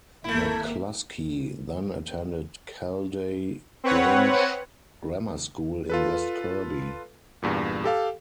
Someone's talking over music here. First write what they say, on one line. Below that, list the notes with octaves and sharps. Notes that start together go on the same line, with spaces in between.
McCluskey then attended Calday Grange Grammar School in West Kirby.
G#1 A3 A#3 E4 E5
C4 B4 C#5 F#5
F4 A4 B4
E2 G2 A#2
G4 A4 F5